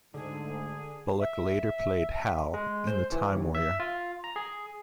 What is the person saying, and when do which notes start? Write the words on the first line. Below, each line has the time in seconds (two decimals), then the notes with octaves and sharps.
Bulloch later played Hal in "The Time Warrior".
0.14 D2 G#2 D3 G#4
1.19 E5
2.54 G#3
2.87 C5
3.12 E3
3.35 D#2
3.55 E5
3.80 F4
4.24 A#5
4.36 G#4